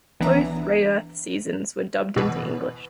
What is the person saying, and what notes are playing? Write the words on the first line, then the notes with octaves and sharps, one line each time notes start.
Both Rayearth seasons were dubbed into English.
B1 E3 B3 D4 E5 A#5
B2 E3 B4